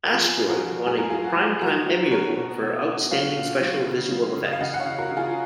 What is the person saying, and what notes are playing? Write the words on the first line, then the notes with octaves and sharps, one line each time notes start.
"Asteroid" won a Primetime Emmy Award for Outstanding Special Visual Effects.
A#4
F3 F4 G#4
A#2
F#4 A#4
F3
F#3 G#4
A#4
F#3 F4 G#4
F#4
F#3
F#3 F#4 A#4
F#3
B2 A#4 C#5
B2
B2
B2
F#3 C#5 F5
A#2
F#3
C#3
F#3
C#3
D#5
F5
C#3 D#5 F#5
F#5
C#5 F5
C#3
F#4 A#4
C#3
F4 G#4